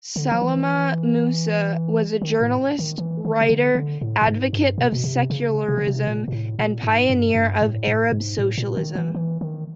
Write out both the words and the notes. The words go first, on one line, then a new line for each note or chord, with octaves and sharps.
Salama Musa was a journalist, writer, advocate of secularism, and pioneer of Arab socialism.
D3
F3
E3
D#3
A2
D#3
E3
D#3
C#3
D3
D3
A2
A2
G#2
G2
B2
B2
C3
C#3
C3
C#3
C3
A#2
A#2
A2
A#2
G#2
G2
G2
A2
A2
G#2
A2
A#2
D#3
E3
E3
D#3